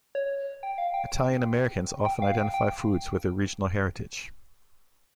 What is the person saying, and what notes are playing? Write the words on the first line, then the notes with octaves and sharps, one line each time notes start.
Italian-Americans often identify foods with their regional heritage.
C#5
G5
F5
G5
G5
F5
G5
G5